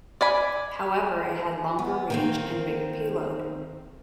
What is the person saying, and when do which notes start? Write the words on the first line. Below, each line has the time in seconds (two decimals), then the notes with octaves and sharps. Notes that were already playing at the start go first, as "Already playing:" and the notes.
However, it had longer range and bigger payload.
0.21 D5 G#5 B5
1.79 B3
2.10 D#3 A#3 C4